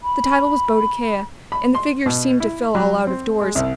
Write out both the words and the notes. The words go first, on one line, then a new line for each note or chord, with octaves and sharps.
The title was "Boadicea," and the figure seemed to fill all out-of-doors.
B5
B5
C6
B2
E4
F#3
C4
G#3
C2